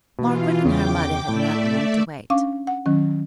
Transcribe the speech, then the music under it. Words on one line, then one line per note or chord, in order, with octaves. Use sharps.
Margaret and her mother had not long to wait.
B2 E3 F4
E2 C#3 G5 D6
A2 A3 D5 E5
C#4 D4 F5 C#6 D6
F#5
D#3 F#3 C#4